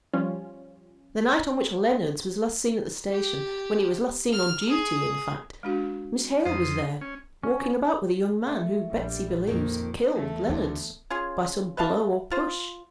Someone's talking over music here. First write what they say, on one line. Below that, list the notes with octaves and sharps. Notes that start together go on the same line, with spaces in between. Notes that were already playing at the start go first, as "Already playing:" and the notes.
'The night on which Leonards was last seen at the station--when he was last seen on duty, in fact--Miss Hale was there, walking about with a young man who, Betsy believes, killed Leonards by some blow or push.'
F3 G3 C#4 F4
G4
F6
G#4
G#3 D4 F#4
F2 C5 C6 D#6
C#4
C#4
A3
A#1 G3
F2 D#3 A#3
E2 A3
D2
C#4 F4 G#4
B4 E5 F5 A5
F4 C5